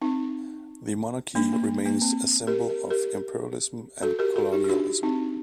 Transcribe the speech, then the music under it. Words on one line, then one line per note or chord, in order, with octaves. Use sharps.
The monarchy remains a symbol of imperialism and colonialism.
C4 D#4
A#3 D4
A#3
A#3
C4
G4 A#4
A#4
G4 A#4
F#4 A4
G4 A#4
F#4 A4
D#4 G4
G4
D4 F#4
C4 D#4